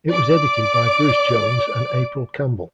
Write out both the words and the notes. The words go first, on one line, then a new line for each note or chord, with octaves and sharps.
It was edited by Bruce Jones and April Campbell.
D5 D6